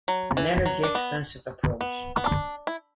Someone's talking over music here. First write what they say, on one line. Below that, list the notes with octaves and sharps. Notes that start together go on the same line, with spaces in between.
An energy-expensive approach.
F#3
E3
F#3
D4
B3
B3
B3
D4
E4